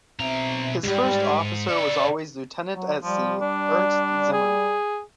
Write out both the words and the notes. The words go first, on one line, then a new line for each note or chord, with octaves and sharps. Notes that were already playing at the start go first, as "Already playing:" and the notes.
His first officer was always Lieutenant at Sea Ernst Zimmermann.
B1 B2 C4 E5 A#5
C#2 G#2 G3
C#3 A4 D5
F#3
F3 G3
D4
G#4